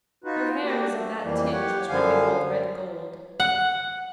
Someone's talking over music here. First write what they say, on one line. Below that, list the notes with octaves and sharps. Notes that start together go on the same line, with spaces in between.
Her hair was of that tinge which might be called red gold.
D#4 F4 F#4 B4
A#3 D4 F#4 G4
A3
F2 E3 G3 A#3
G4 C#5 F#5
F#2 D3 F3 G3 F5 G#5
F#5